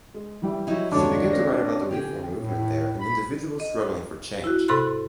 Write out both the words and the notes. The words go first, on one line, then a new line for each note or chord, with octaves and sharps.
She began to write about the reform movement there and individuals struggling for change.
G#3
E3 G3 E5
F#3 D#4 E4
D#1 F#2 D3 G#3 D4 F4 C#5
C4 C#4 A#6
D3 G4 G#4 G5
A2
B5
D#5
E4 F#4
G#2 C3 A4 B5 C6 F#6